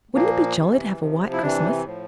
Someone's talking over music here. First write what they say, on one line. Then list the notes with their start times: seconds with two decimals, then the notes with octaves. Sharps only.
Wouldn't it be jolly to have a white Christmas?
0.14 A#2 F3 A#3
0.58 C3 E3
1.00 C3 F3
1.32 E4
1.43 C3 E3 D4
1.85 A2 F3